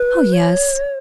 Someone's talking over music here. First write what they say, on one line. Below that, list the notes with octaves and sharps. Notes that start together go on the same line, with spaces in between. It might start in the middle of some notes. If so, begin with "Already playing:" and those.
Oh, yes.
Already playing: B4
C#5